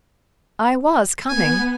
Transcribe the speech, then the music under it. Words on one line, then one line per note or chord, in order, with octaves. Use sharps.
"I was coming."
B3 G#5